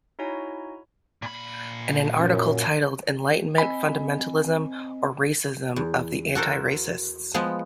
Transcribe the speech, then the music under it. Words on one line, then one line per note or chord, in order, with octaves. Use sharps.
In an article titled Enlightenment Fundamentalism or Racism of the Anti-Racists?
D#4 E4 F#4 C#5 G#5 A#5
A#2 B5
F#2
C4 D#5 G#5 B5
E2
F#4 A4 A#4 C5
F3 G#3 B3